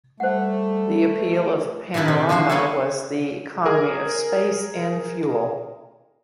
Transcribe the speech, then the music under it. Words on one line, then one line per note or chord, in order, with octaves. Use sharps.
The appeal of Panorama was the economy of space and fuel.
G3 A3 C5 F#5
A#2 D#3 D4 E4 G4 A4
C3
D3 G#3 F#4 C5
A#3 B3 C#4 E4 A4 C#5
G#4 A#4